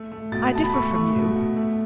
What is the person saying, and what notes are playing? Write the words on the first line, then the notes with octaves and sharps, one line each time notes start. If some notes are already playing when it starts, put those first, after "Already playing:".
I differ from you.
Already playing: A3
A3
B2 A6
B2 A5
B5
A3 C#6
A3
B2
B2
A3